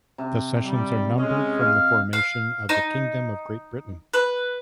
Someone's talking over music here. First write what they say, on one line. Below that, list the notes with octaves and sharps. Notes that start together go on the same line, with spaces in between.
The sessions are numbered from the formation of the Kingdom of Great Britain.
C3
G3
G#3 C#4 D#5
F5
F5
D#4
B4